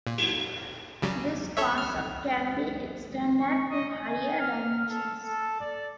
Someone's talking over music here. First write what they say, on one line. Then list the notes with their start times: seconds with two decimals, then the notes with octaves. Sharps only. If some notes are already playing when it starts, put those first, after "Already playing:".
This concept can be extended to higher dimensions.
0.07 A#2
1.02 C#3 F#3 G3
1.57 A4 C#5 E5
1.78 F6
3.40 C#6
3.70 D#5
4.00 G#5
4.40 F6
4.89 A4
5.23 A4
5.60 D5